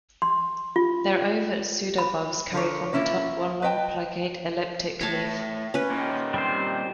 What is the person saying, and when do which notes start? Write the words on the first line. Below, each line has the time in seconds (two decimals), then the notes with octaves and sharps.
Their ovate pseudobulbs carry from the top one long, plicate, elliptic leaf.
0.22 C6
0.76 F4
1.98 B5
2.53 D3 F3 A#4 C#5
2.93 A#3 C#4 E4 F4
3.62 B4 D#5 G5 A5
5.01 A2 C#5 A5
5.74 C#4 B4
5.90 A#2 D#3
6.34 G3 C4 C5